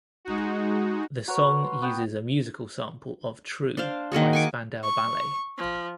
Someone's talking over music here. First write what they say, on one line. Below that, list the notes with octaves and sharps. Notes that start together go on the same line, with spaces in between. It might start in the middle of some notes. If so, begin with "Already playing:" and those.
The song uses a musical sample of "True" by Spandau Ballet.
G#3 D#4 F#4
F#4 A#4 B4 C#5
C6
B3 B4 G5
D4 C5 F5
D#3 A#3 F#4 G#4
G#5 C#6 D6
C#6
F3